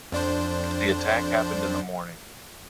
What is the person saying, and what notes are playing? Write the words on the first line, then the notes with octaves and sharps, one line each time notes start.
The attack happened in the morning.
F2 D4 C5